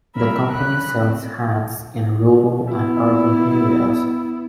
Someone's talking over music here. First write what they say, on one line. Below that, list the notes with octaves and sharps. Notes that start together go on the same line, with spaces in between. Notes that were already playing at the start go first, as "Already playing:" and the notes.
The company sells hats in rural and urban areas.
G3 C4 A#4 E5 B5
C#3 C#4 B5 F#6
C4
B3 E4